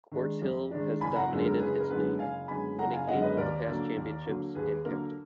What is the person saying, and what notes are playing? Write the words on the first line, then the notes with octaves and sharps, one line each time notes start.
Quartz Hill has dominated its league, winning eight of the past championships, and counting.
D#3 G#3 D4
F2
D#3 G#3 D4
F#1 G#5 B5
F#5 A#5
F#2 D3 G#3 B3
A#4
F#1 G#4 B4
A#4
F#2 D3 G#3 B3 G#4 B4
F#1 F5 G#5
F#2 D3 G#3 B3 G#5 B5
F#1 F#5 A#5
F5 G#5
F#2 D3 G#3 B3 D#5 F#5
B4 D#5
D#2 A#4 D5
D3 F#3 A#3
D#2
D3 F#3 A#3
D#2 G#4 B4
D3 F#3 A#3 A#4